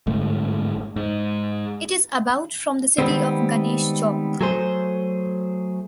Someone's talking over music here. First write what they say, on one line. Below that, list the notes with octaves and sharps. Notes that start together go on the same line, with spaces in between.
It is about from the city of Ganesh Chowk.
G1 G#2 A3
G#2
D#3 E3 G3 G#3 B3 C4
F#3 A3 G#4 C5